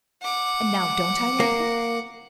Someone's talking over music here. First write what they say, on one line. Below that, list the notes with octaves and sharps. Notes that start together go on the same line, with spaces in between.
And now don't I love him?
F#5 D6
A#3